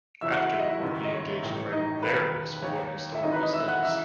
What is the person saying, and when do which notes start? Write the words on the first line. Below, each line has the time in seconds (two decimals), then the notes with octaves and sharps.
After the war he engaged in writing various war-historical studies.
0.21 F#1 F#2 E3 E5 E6
0.32 F#4 F#5
0.42 F#5
0.51 E5
0.60 D#5
0.68 E4 E5
0.82 F#1 F#2 D#3
1.05 D#5
1.12 C#5
1.42 A1 A2 E3
1.72 D#4 D#5
2.03 E1 D#2 D#3 B4
2.62 D#2 D#3 C#5
3.14 E5
3.23 G#1 F#2 E3 D#4 D#5
3.32 B4 B5
3.43 D#5 D#6
3.53 E5 E6
3.68 F#5 F#6
3.83 C#3 E3 E5 E6